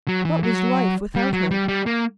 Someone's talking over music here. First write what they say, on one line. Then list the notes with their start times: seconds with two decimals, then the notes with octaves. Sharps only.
What was life without her?
0.08 F#3
0.25 E3
0.43 F#3
1.16 G3
1.33 F#3
1.51 G3
1.68 G3
1.86 A#3